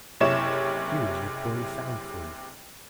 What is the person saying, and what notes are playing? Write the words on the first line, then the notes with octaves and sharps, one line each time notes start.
Here is your quarry found for you.
F#1 C3 E4 C#5 E7